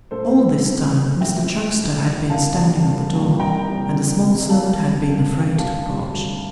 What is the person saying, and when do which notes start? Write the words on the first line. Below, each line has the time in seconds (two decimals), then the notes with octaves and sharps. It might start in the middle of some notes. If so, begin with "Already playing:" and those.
All this time Mr Chuckster had been standing at the door, and the small servant had been afraid to approach.
0.11 A2 A4 C5
0.39 E3 G3
0.66 A2
0.93 E3 G3
1.20 A2 E5 G5
1.48 E3 G3
1.75 A2
2.02 E3 G3
2.30 C2 F5 A5
2.57 A#2 G3
2.85 C2
3.13 A#2 G3
3.39 C2 G5 A#5
3.67 C3 E3 G3
3.95 C2
4.22 C3 E3 G3
4.49 C2 F5 A5
4.76 C3 G3
5.03 C2
5.32 C3 G3
5.58 D2 F5 A5
5.87 D3 G3
6.14 D2